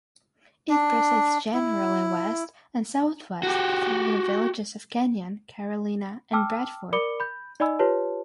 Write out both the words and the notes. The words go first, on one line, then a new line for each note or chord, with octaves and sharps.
It proceeds generally west and southwest through the villages of Kenyon, Carolina, and Bradford.
D4
E4
F#4 G4
G5 A5 D6 E6 F6
A#4 D5 B5 D6 C#7 G7
B5 G6
D#4 D5 D#5 G#5 B5 E6
F4 G4 B4 C#5 A5